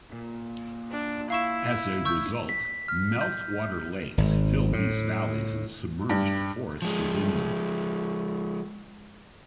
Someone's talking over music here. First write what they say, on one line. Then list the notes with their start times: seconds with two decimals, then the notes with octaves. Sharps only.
As a result, meltwater lakes filled these valleys and submerged forests within them.
0.12 A#2
0.92 D4
1.30 E4 F5 C#6 E7
2.05 C#6 E6 G6
2.49 B6
2.88 F6
3.21 G6
4.18 G#1
4.73 A2
6.09 G2
6.82 F3 G#3